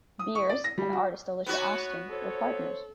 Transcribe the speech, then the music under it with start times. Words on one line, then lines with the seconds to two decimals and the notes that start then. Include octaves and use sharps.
Beers and artist Alicia Austin were partners.
0.19 D#6
0.35 C#6
0.49 D5
0.64 A#6
0.78 G3
0.93 F#4
1.46 B3 F#4 C#5
2.09 A4 C5 C#5